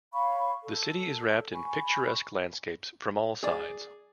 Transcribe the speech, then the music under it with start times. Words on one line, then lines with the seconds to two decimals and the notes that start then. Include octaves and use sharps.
The city is wrapped in picturesque landscapes from all sides.
0.13 C#5 F5 B5 C#6
0.62 A4
1.52 G#5 B5 C#6
3.43 G#4 D5